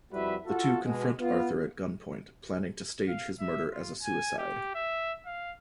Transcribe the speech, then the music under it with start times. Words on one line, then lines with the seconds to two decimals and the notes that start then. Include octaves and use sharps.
The two confront Arthur at gunpoint, planning to stage his murder as a suicide.
0.12 F2 G3 E4 F#4 B4 E5
0.46 F4 F#4 A4
0.85 B2 G#3
1.18 B3 F4
3.08 F5
3.40 E5
3.72 F4
4.03 G#5
4.39 G4
4.75 E5
5.26 F5